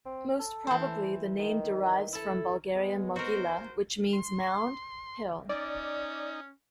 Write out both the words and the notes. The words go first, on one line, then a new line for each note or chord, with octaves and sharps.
Most probably the name derives from Bulgarian "Mogila" which means "mound", "hill".
C4
A4
E3 C5
D#3
E4 A4
G#3 B3
D#4 F#4 A#4 C5
C6
C#4 D#4 D5